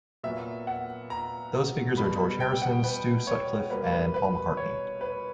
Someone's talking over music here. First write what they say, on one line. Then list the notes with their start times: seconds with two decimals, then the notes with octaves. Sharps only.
Those figures are George Harrison, Stu Sutcliffe and Paul McCartney.
0.23 A#2 F#3 B3 E5
0.67 F#5
1.10 A#5
1.97 B2 G3 B3 B5
2.40 G5
2.62 F#5
2.84 B4
3.27 C#5
3.70 B2 G3 A#3 B4
3.92 B4
4.14 B4
4.57 C#5
5.01 B4